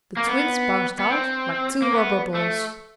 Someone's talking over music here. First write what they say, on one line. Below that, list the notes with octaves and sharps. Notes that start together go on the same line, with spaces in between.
The Twins bounced out like two rubber balls.
A#3
B3
B3
C4
A#3
B3
A3